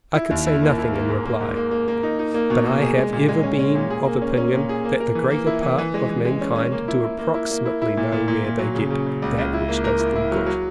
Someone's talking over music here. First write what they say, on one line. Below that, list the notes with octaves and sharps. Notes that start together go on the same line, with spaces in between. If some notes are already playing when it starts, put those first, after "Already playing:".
I could say nothing in reply, but I have ever been of opinion that the greater part of mankind do approximately know where they get that which does them good.
E4
D#2
E4
A#3
E4
A#3
G#2
A#3
G#2
A#3
A#3
A#3
D#4
D#4
A#3
B2
A#3
G#4
G#3
A#2
G#3
C#4
C#4
A#2
G#4
A#3
C#4
C#4
A#2
G#4
A#3
A#4
E3
A#3
E4
E3
E3
G#3
E3
G#3
C#4
C#4
A#3
E4
E4
A#3
E4
A#3
E4
E4
A#2
A#2
A#2
A#2
F#3
C#3
C#3
C#3
C#2
C#2
E4
A#3
A#4
E4
E4
F#3
F#3